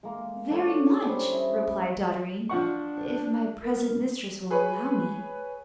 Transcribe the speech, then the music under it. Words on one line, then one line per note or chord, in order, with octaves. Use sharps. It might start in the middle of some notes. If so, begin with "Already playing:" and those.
'Very much,' replied Dotterine, 'if my present mistress will allow me.'
G#3 A#3
D4 A4 C#5 F#5
G3 C#4 C5
E4 D#5
F3 D4 F#5 C#6
A#4
G#4 B4 C#5